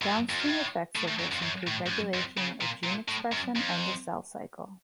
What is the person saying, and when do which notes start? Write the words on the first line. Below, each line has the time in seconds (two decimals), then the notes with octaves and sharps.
Downstream effects of this include regulation of gene expression and the cell cycle.
0.02 F#2
0.30 F2
0.39 F#2
0.49 A2
0.96 A2
1.08 A2
1.19 F#2
1.31 F2
1.42 F#2
1.67 A2
1.86 A2
1.90 F#2
2.14 F2
2.37 C#3
2.61 A#2
2.84 A#2
3.09 A2
3.32 F#2
3.56 F2